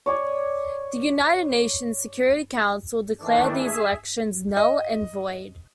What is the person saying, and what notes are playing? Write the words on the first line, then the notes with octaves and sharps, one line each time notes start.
The United Nations Security Council declared these elections "null and void".
C#5 D5 G#5
D#3 E3 A3 D4
G#4 E5
D#5